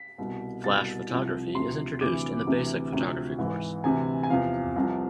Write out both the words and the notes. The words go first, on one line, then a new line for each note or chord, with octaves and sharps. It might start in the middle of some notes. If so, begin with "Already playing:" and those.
Flash photography is introduced in the basic photography course.
Already playing: B6
C2 B2
C2 B2 A6
C2 C3 F3
D2 C3 F3 C6
D2 C3 E3 D6
D2 C3 E3
D2 C3 F3
G#2 E3
D2 C3 E3 G#5
G#5
E2 C3 F3 F5
C2 C3 F3